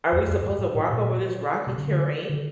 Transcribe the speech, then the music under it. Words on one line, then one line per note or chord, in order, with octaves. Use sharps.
"Are we supposed to walk over this rocky terrain?"
E2
F2
G2
G#2
A2
A#2
C3
C#3
D3
D3